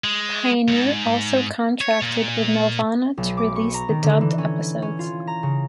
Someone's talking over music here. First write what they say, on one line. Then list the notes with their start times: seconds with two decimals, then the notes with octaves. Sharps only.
Pioneer also contracted with Nelvana to release the dubbed episodes.
0.04 G#3
0.68 D#2 G#2
1.81 C#5
2.02 A#2
3.17 B1
3.37 D6
3.55 C#6
3.74 A#5
3.89 D#3
4.03 D3
4.21 E3
4.38 C#4
4.82 C#4
4.99 F4
5.27 A#5
5.43 C#3